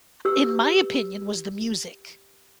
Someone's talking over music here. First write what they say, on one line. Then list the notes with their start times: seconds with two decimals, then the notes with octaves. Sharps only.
in my opinion, was the music,
0.25 G4 B4 E6